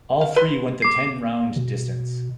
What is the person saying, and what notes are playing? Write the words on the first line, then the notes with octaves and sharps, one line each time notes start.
All three went the ten-round distance.
F5
B4 C6
D6 C7
B2